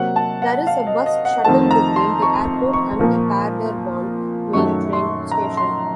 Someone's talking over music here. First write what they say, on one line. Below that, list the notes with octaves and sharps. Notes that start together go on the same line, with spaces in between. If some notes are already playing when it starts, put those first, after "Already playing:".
There is a bus shuttle between the airport and the Paderborn main train station.
Already playing: C3 F#3 A#3 F#5
A5
F#5
F5
D#5
D#5
F#5
F2 D#3 A3 C4 A5
A#5
C6
C#6
C#6
A#2 F3 A#3
F#2 D#3 F#3 A3 C#6
C6
A#5
C6